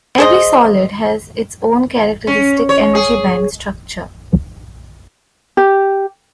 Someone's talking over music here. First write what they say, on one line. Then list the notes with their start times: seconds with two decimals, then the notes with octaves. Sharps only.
Every solid has its own characteristic energy-band structure.
0.18 G#4 C5 D#5
2.27 C#4
2.69 C#5
2.95 G#4
5.57 G4